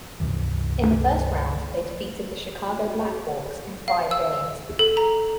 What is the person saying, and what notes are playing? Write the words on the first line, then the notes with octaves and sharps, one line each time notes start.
In the First Round they defeated the Chicago Blackhawks in five games.
C#2 G2 C3 E3
F5
E6
A4
A#5